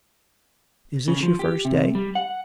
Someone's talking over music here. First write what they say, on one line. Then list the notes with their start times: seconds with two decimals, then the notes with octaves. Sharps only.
Is this your first day?'
1.08 C#3
1.23 F3
1.39 G4
1.65 C3
1.95 G3
2.15 F#5